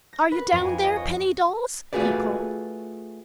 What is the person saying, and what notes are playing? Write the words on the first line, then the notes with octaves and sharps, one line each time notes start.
"Are you down there, penny dolls?" he called.
A#6
B4
F2
G#5
D#5
C#5
A3 F4 F#4 G#4 B4 D5